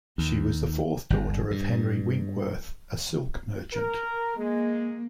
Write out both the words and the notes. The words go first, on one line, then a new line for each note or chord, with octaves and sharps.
She was the fourth daughter of Henry Winkworth, a silk merchant.
D#2
G1
G2
A#4
G#3 A#3